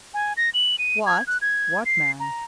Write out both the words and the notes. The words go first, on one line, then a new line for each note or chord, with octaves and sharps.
"What--what man?"
G#5
A#6
F#7
D#7
G#6
F#6
G#6
C7
A#5